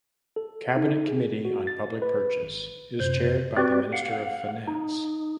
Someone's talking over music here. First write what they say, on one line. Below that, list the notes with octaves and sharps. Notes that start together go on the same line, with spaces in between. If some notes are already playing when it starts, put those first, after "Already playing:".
Cabinet Committee on Public Purchase is chaired by the Minister of Finance.
A4
D#4
G#4
F#4
A6
B4
G#1
F#2 C3 C5
C4 F#4 G4 B4 D5
F5 F#5
D#4